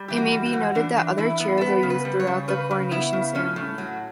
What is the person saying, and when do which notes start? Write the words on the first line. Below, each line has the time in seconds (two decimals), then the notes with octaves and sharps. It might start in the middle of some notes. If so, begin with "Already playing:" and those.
It may be noted that other chairs are used throughout the coronation ceremony.
Already playing: G3
0.08 E3 G4
0.17 F#4
0.32 G3
0.46 F#4
0.53 E3
0.75 E3 D4
0.97 E3
1.18 E3 E4
1.40 B3
1.57 A4
1.61 B3 B4
1.83 C#3
1.90 B4
2.05 G3
2.20 C#5
2.27 C#3
2.48 C#3 B4
2.71 C#3
2.91 B3 E4
3.13 C#3
3.35 A2 C#4
3.56 A2
3.78 F#3